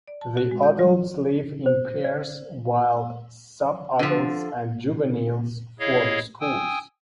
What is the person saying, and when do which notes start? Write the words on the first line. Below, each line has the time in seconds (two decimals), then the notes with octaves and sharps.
The adults live in pairs while subadults and juveniles form schools.
0.08 D5
0.21 A5
0.37 F#4
0.51 G#3
0.63 G6
0.79 G3
1.66 C5
2.04 D5
3.99 D3 F3
5.80 E4 G#4 C#5 D#5 F5
6.41 G5 G#5 D#6 E6